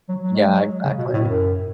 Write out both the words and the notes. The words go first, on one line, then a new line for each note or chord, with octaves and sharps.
Yeah, exactly.
F#3
F#3
G#3
F#3
C#3
B2
A2
F#2